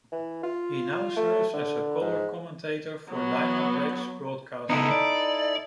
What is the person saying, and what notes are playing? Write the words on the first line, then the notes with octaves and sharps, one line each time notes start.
He now serves as a color commentator for Diamondbacks broadcasts.
E3
F4
A3
D3
G#2
F#3 B3
C#3 B3 D#4 E4 A4
D5